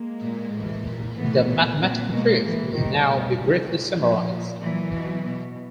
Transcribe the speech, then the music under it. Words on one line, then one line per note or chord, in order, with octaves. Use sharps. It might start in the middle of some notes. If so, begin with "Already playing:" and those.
The mathematical proof will now be briefly summarized.
Already playing: G#3 A#3
A#2
A2 E3
A#2
A2 E3 A3 B3
A#2
A#2 A#3 C4
B2 G#3 A#3
A2 E3
C3 D#3 G3 A3
B2
C3 D#3
A#2
A#2 F3
A#2
A#2 E3 F#3
B2
B2